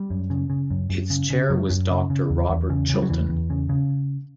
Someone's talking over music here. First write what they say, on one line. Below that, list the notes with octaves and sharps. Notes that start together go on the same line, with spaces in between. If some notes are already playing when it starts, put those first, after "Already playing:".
Its chair was Doctor Robert Chilton.
Already playing: G3
F#2
C#3
C#3
F#2
F#2
C#3
C#3
F#2 F#3
F#2
C#3
C#3
E2
E2
C#3
C#3 G3
F#3
E2 E3
E2
C#3
C#3